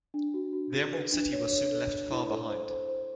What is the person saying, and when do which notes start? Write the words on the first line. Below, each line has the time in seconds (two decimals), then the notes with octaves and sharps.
The Emerald City was soon left far behind.
0.14 D4
0.34 F#4
0.53 F#4
0.74 F#4
0.93 B4
1.12 D4
1.33 C#5
1.51 C#5
1.71 A4
1.91 A4
2.11 E4
2.30 A4
2.49 C5
2.70 C5
2.88 C5